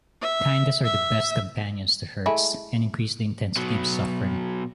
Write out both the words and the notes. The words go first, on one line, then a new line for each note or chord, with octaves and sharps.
Kindnesses are the best companions to hurts, and increase the intensity of suffering.
E5
E5
G#3 A3 E4
B2 F#3